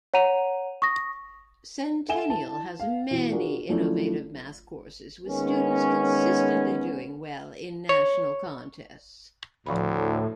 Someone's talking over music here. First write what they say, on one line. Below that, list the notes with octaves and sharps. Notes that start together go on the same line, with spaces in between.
Centennial has many innovative Math courses with students consistently doing well in National contests.
C#5 F#5 A#5 D#7 F7
C#6 D#6 A#6
A4 E5 F#5 G#5 E7 G7
E4 A5
F5
B2 E3
D4 F4 F#4 G#4 A#4
F3 F#3 A3 C#4 D4 E4
D#3 G#3 A#3 B3 C#4
C#5
D2 A2 F3 F5 B5